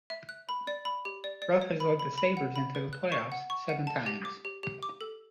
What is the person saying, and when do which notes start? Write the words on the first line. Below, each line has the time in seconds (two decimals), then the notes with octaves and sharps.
Ruff has led the Sabres into the playoffs seven times.
0.10 E5
0.29 F#6
0.49 B5
0.67 D5
0.85 B5
1.05 G4
1.24 D5
1.42 D5
1.61 C#5
1.80 B5
1.99 B5
2.18 B5
2.37 F#5
2.56 B5
2.75 B4
2.93 F#6
3.12 C#6
3.32 F#5
3.50 C#6
3.69 F#5
3.87 A5
4.06 G4
4.25 D6
4.45 G4
4.63 G4
4.83 D6
5.01 A4